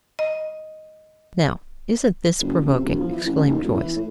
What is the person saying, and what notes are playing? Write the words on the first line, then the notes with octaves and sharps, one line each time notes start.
"Now isn't this provoking!" exclaimed Joyce.
D#5
F#1
A1
C3
E1
F3
E3
A1
A1
D#2
E1
E3
A2